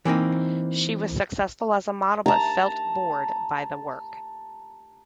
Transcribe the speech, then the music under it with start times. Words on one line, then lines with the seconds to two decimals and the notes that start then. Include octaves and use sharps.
She was successful as a model but felt bored by the work.
0.05 E3 A#3 C4 D#4
2.26 A5 A#5